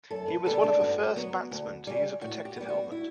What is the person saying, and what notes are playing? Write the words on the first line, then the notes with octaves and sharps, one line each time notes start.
He was one of the first batsmen to use a protective helmet.
F#2 A4
B4
C#3 G3 B3 A4
D4
G2 F#4
F#3 B3
D2
C#3 G3
A2 F#4
G4
G3 B3
F#4
E4